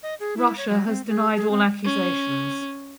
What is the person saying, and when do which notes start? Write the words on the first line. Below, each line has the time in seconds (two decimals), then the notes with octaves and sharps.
Russia has denied all accusations.
0.03 D#5
0.20 G#4
0.37 E4
0.58 C#5
0.69 F#3
0.87 C4
1.09 G#4
1.36 G#4
1.51 C4
1.85 C#4